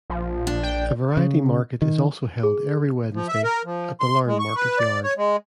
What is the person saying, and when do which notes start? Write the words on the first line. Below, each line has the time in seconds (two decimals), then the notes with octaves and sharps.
A variety market is also held every Wednesday at the Larne Market Yard.
0.10 A#1 F3
0.47 D4
0.63 G5
1.17 C#3
1.82 D#3
2.43 G#4
3.14 F3
3.28 E5
3.44 A#4
3.65 F3
4.00 C6
4.27 G#3
4.39 C#6
4.56 B4
4.79 D5
5.04 C#5
5.17 G#3